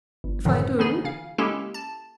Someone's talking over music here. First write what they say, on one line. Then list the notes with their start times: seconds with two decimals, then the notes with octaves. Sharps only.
"If I do?"
0.24 G1
0.45 F#2 A2 D3 D#3 F3
0.78 D3 E3 B3 D#4 G#4
1.04 C#3 F5
1.38 G#3 A#3 C#4 E4 G4 A4
1.74 A5